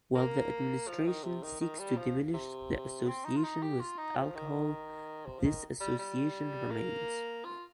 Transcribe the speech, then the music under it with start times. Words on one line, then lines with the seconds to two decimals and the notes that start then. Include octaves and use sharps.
While the administration seeks to diminish the association with alcohol, this association remains.
0.15 A#3
0.88 F3
1.06 D#3
1.24 C3
1.43 D#3
1.61 D#3
1.79 G3
1.97 F3
2.34 C3
3.07 C4
3.25 D#4
3.36 F4
3.43 D#4
3.62 G4
3.80 F4
3.98 D#4
4.16 F3
4.35 D#3
5.26 C3
5.39 F3
5.45 D#3
5.80 G3
5.99 G3
6.71 A#3
7.44 F4